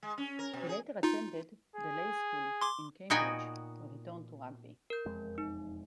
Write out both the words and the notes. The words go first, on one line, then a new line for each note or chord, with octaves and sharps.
He later attended The Leys School in Cambridge, where he turned to rugby.
G#3
C#4
A#4
B2
G#4
D#4 F4
G#4
C6 D6
A#2 B3 D#4 F#4 G5 G#5
A#4 G6
E1 F2 G#3
D#4